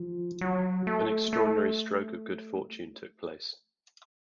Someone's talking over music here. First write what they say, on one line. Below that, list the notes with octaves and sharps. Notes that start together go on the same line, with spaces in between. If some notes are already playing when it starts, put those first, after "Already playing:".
An extraordinary stroke of good fortune took place.
Already playing: F3
F#3
A3
A3